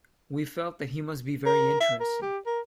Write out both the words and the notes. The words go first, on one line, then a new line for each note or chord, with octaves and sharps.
We felt that he must be very interesting.
A#4
E5
A#4
G4
A#4